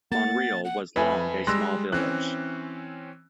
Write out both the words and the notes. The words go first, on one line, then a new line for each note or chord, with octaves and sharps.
Monreale was long a small village.
A#3 F#5 A6
F#5
F2 B4 E5 G#5
G3 G#3 C6 E6 F#6 A#6
E3 C4 C#4 F#6